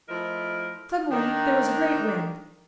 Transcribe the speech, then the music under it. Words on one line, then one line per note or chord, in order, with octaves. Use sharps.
Suddenly there was a great wind.
F3 A3 E4 A#4 C5 D#5
D#3 D4